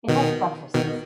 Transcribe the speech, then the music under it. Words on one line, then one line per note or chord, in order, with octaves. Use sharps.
It has buttresses.
B2 D#3
B2 D#3